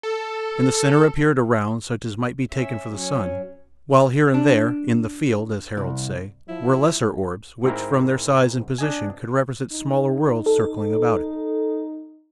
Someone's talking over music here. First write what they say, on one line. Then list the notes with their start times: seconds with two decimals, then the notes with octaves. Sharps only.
In the centre appeared a round such as might be taken for the sun, while here and there, "in the field," as heralds say, were lesser orbs which from their size and position could represent smaller worlds circling about it.
0.03 A4
2.52 C#4 E5
2.93 F#3 C#4
4.34 D4
5.77 C2
6.48 F3 E4
7.64 G#2 C4 E4 A#4
8.78 D4 D#5 G#5
9.72 D#4
10.46 A4